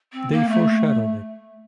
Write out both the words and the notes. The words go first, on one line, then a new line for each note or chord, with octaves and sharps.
They foreshadowed it.
C4
A#3
A3